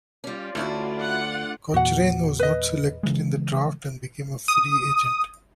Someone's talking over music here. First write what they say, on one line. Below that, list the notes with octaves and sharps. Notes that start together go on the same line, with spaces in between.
Cochrane was not selected in the draft and became a free agent.
G3 C#4 F4 D5
D2 C#4 E4 F#4
F#5
E2 A#2 F#4 F#5
B4 D#5
C#3 E3 G#3
D#6